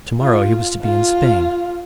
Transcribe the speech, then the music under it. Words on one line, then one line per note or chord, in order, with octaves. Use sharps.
To-morrow he was to be in Spain.
F4
F4